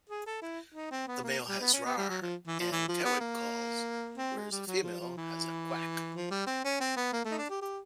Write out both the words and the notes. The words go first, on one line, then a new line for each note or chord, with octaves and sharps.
The male has "rarr" and "cawick" calls, whereas the female has a "quack".
G#4
A4
E4
D#4
C4
B3
A#3
G3
B3
C#4
B3
G3
F#3
F3
E3
F3
E3
F3
B3
A#3
C4
G#3
G3
F#3
F3
F3
E3
F3
G3
C4
C#4
C4
B3
A#3
A3
D#4
D4
G4
G4